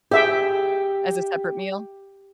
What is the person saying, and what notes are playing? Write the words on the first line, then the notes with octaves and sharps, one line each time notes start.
As a separate meal?
G4 G#4 E5 G5